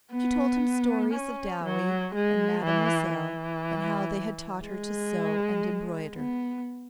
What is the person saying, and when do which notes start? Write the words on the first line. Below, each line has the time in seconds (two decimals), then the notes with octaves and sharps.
She told him stories of Dowie and Mademoiselle and how they had taught her to sew and embroider.
0.13 B3
1.14 C#4
1.64 F#3
2.15 G#3
2.64 E3
3.15 E3
4.66 G#3
6.15 B3